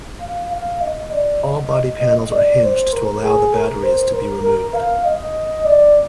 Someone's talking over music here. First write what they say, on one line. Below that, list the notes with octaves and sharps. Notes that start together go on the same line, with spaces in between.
All body panels are hinged to allow the batteries to be removed.
F5
F5
D#5
D5
D#5
D#5
D#5
D5
C5
A#4
G#4
A#4
C5
A#4
A#4
F5
D#5
D5